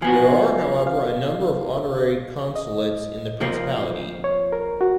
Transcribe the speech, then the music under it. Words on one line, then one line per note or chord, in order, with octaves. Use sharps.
There are, however, a number of honorary consulates in the principality.
F3 B3 F#4 G#5
F5
D#5
F2 F3 A#3
C#5
A#4
F#4